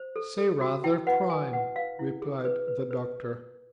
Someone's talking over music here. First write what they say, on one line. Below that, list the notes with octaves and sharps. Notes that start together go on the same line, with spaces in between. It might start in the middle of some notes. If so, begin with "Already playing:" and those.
"Say, rather, crime!" replied the doctor.
Already playing: C5
A4
A4
F#4
E4 G5
B4 F#5
B4 G#5
B4 F#5
B4 F5
E4
G#4
B4
B4
B4